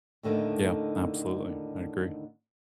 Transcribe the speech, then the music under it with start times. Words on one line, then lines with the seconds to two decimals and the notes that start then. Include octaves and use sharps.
Yeah, absolutely, I agree.
0.23 D#2 A2 D3 D#3 A3